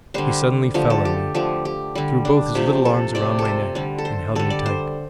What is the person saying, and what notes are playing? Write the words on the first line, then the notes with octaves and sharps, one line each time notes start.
He suddenly fell on me, threw both his little arms round my neck and held me tight.
D3 G3 C5
D3 F3 A3 G4
A4
G4
D3 F3 A3 G4
G4
D3 G3
D4
C3 F3 A3 G4
A4
C3 A3 D5
A4
C5
D3 G3
A4
C5
D3 G3 A4
D5
C5